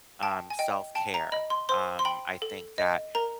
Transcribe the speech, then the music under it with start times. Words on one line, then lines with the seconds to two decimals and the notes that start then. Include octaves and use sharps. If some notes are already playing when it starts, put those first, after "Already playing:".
um, self-care. Um, I think that,
0.23 G5 A5
0.50 G#5
0.59 D#5 G5
0.95 G5 A5
1.14 A#5
1.32 D#5 B5
1.50 C6
1.69 C5 C6
1.99 C6
2.05 G5 B5
2.42 A4
2.78 D#5
3.15 A#4 A#5